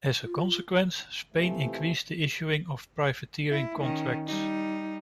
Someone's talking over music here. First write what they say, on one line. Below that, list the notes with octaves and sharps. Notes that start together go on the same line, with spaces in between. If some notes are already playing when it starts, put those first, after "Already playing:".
As a consequence, Spain increased the issuing of privateering contracts.
F4
C3 E3 F3 A3
E4
D#3 C#4
G3 D#4